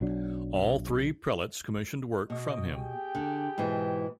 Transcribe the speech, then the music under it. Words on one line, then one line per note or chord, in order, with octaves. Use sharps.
All three prelates commissioned work from him.
B1 F#3 D4
B2 D#5
G4 G#4 G5
D3
G#2 B2 E3